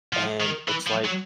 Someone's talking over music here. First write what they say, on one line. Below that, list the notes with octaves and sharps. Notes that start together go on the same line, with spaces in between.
And it's like
F3
D#3
E3
F3
F#3